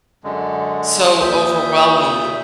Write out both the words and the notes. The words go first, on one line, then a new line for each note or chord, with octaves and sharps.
so overwhelming
F#2 D3 G#3
D#2 A#2 E5 D#6 G6